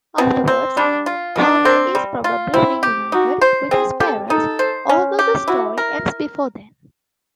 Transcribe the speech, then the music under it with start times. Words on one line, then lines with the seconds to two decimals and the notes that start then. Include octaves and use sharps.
Afterwards, Harvey is probably reunited with his parents, although the story ends before then.
0.18 B2 C4
0.48 C4
0.77 G3 D4
1.06 F4
1.36 B2 D4
1.65 C4
1.95 G3
2.24 F4
2.54 C4 E4
2.83 G4
3.12 D#4 F#4
3.41 C5
3.71 C4 G#4
4.00 G4 A4
4.30 D#4 A4
4.59 C5
4.89 C#4
5.19 G4
5.48 E4 F#4
5.78 A#4